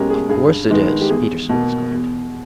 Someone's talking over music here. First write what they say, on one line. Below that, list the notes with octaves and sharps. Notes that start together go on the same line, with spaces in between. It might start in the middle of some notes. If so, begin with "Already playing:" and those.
"Of course it is," Peterson exclaimed.
Already playing: B2 G#3 C#4 G4 A#4
G#4
G2 G#4
D#3 G#3 B3 D#4
G4
E2 G#4
B2 A#3
E2